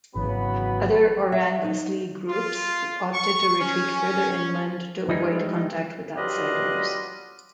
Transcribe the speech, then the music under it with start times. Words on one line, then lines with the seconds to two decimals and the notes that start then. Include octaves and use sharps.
Other Orang Asli groups opted to retreat further inland to avoid contact with outsiders.
0.16 G#1 C#3 E3 F#3 B3 B5
1.32 E5
1.64 D#4
2.29 F4
3.13 C#6
3.59 C#4
5.09 E3 F3 G3 G#3 D#4 E4
6.17 F#3 G3 D4 F4 B4 D#5